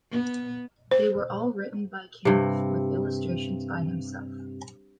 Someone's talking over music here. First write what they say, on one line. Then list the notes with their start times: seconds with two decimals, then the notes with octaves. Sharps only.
They were all written by Caniff, with illustrations by himself.
0.11 B3
0.91 C5
2.25 G2 C3